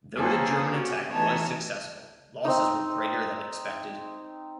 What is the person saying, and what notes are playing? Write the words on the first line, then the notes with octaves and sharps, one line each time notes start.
Though the German attack was successful, losses were greater than expected.
A#3 C4 C#4 G#4 A4 B4
C#4 F#4 G4
E3 A3 B3 D#4 C#5 A5
C4 D#4